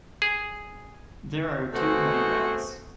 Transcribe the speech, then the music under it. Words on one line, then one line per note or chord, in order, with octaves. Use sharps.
There are two night routes.
G#4
A3 B3 C4 F#4 G#4 C5